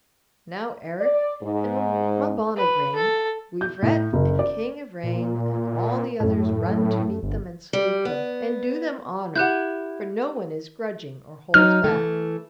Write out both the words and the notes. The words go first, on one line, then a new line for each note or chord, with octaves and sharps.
Now Erec and Mabonagrain, Guivret and King Evrain, and all the others run to meet them and salute them and do them honour, for no one is grudging or holds back.
D5
G#2
B4
A4
G6
A2
F#1
D5
A#2
F#2 A2 A3
G1
G3
B3
E4 G4 F#5 F#6 G6
F#3 D#4 F6
E3 A3